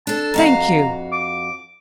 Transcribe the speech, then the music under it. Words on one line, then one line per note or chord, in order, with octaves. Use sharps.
'Thank you.
D4 A4 A5
F2 F#4 F5 A#5
D6